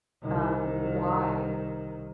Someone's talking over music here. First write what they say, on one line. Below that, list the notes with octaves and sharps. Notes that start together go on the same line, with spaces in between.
um, "Why?"
C2 D#3